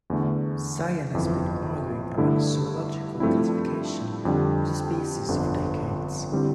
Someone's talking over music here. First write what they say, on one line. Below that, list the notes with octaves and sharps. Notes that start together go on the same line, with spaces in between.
Science has been arguing about the zoological classification of the species for decades.
E2 D3 A3
G1 F2 E3
G2 D3 A3 E4
G2 F3 A3 C4 E4
F2 D3 G3
G1 F2 D3
D3 G3 C4 E4